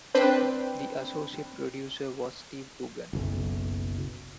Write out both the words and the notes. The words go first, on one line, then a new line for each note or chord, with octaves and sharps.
The associate producer was Steve Coogan.
C4 D4 B4 C5 G5
F#1 B1